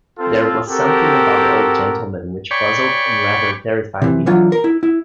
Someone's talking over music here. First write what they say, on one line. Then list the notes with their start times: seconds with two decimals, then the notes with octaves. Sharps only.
There was something about the old gentleman which puzzled and rather terrified me.
0.19 C4 F4 A4
0.67 C4 F#4 G4 A4 A#4
2.51 C#5 D5 G5 G#5 B5 C#6
4.02 C3 E3
4.26 D3 E3 F#3 F4
4.52 A#4
4.64 E4
4.83 E4